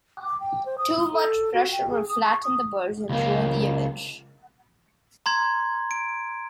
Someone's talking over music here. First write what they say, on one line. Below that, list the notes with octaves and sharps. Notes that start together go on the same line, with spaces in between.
Too much pressure will flatten the burrs and ruin the image.
D6
G5
C5
D#6
A4
F#4
G5
G#4
D#6
C#6
D#6
C#2 A#3
A#5 C6 G#6
D7